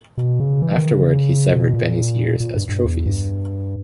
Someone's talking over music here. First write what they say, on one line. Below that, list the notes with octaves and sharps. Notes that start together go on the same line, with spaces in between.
Afterward, he severed Beni's ears as trophies.
B2
C#3
E3
D#3
C#3
B2
A#2
A#2
G2
G2
E2
G2